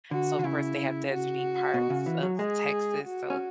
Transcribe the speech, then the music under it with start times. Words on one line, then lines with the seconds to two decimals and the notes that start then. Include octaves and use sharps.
So, of course, they have desert-y parts of Texas, so
0.11 D3 F#4
0.39 D3
0.44 C#3 E4
1.09 F#4
1.74 B2
1.90 C#3
2.06 E3
2.23 F#3
2.39 G#3 G#4
3.04 F#4
3.30 C#4